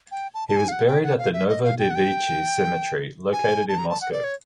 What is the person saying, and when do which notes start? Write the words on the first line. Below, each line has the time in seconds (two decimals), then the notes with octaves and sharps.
He was buried at the Novodevichy Cemetery located in Moscow.
0.11 G5
0.34 A5
0.49 A5
0.57 G#5
0.68 F5
0.72 F#5
0.88 G5
1.03 F#5
1.18 F5
1.33 E5
1.49 D#5
1.64 F5
1.79 G5
1.90 F#5
1.95 G5
3.33 G#5
3.69 A5
3.78 A#5
3.90 A5
4.01 F#5
4.12 D5
4.24 C#5